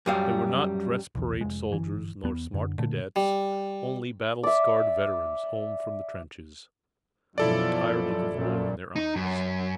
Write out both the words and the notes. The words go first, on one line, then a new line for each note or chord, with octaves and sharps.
They were not dress parade soldiers nor smart cadets--only battle-scarred veterans home from the trenches, with the tired look of war in their eyes.
F#2 G3 F5
B1 E2
F1 G#3
G1 E3
E2 B3
F#2 D3
A#2 D3 A3
G3
D5 E5
F#2 B2 F3 E4 A4 D5
A#1 F#2 A#2
D#4
F#2